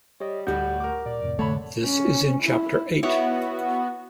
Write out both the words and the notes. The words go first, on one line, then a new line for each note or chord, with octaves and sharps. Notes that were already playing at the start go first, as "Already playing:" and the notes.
This is in Chapter Eight.
G3 C#5 D#5
D2 A2 G3 A3 F#4 G6
A#4 D6
A#2 D5
F2 A2 C3
D3 A3 C#5 A5 B5
C#4
E4
B3 E4 F#4 C#5